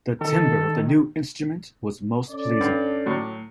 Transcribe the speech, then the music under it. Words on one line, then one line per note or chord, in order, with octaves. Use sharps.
The timbre of the new instrument was most pleasing.
D#3 A4
C#4 A4 D5
G2
A2 F#3